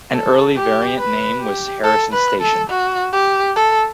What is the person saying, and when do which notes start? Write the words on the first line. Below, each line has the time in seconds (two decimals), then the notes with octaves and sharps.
An early variant name was Harrison Station.
0.13 A4
0.56 G4
0.98 B4
1.41 G4
1.84 A4
2.13 B4
2.41 A4
2.70 F#4
3.13 G4
3.56 A4